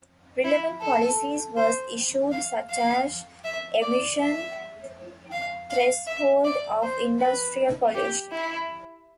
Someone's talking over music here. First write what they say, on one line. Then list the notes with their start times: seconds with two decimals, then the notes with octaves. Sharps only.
Relevant policies was issued such as emission threshold of industrial pollution.
0.45 E4
0.82 A4
1.57 C5
2.31 F5
2.70 F5
3.44 E5
3.82 D5
4.19 E5
5.32 F5
5.70 F5
6.07 E5
6.44 D5
6.82 C5
7.19 B4
7.95 G4
8.32 E4